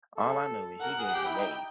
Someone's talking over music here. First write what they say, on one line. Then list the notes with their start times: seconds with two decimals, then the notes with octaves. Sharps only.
All I know is, she gave it away,
0.17 A4
0.82 A#4 F#5
0.98 G#4
1.14 G4 G5
1.25 E4
1.36 D#4